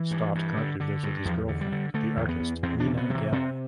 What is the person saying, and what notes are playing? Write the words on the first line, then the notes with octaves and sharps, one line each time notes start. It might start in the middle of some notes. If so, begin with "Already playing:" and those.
Stott currently lives with his girlfriend, the artist Nina Gehl.
Already playing: E3
G2
G2
D3
D3
G2
E2 F3
D3
G3
D3
D3 A3
E2
B3
E2
E2 C4
D4
C3
B3
C3 F3
E3
C3 C4